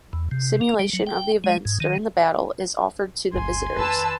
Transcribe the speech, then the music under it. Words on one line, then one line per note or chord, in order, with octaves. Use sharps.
Simulation of the events during the battle is offered to the visitors.
E2
C3
A#3
G3
F#3
G5
G#3
G#2
D#3
G1 D2 G#5 C6
F2 D#3 B4 A5 E6